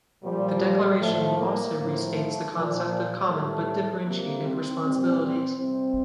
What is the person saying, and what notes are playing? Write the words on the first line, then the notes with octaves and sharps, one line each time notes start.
The Declaration also restates the concept of common but differentiated responsibilities.
A#2 F3 G3
A2 F3 A3
A#3
A2 F3
A3
A#2 F3
A2 G3 A3
C3 G3 A#3
C4
A#2 G3 C4
C4
C3 G3 C4